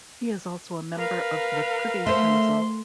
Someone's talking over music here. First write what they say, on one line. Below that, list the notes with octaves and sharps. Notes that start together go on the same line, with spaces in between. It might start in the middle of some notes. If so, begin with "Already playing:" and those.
He is also a member of the Privy Council.
A#4 B4 F5
A3 C5 E5 C6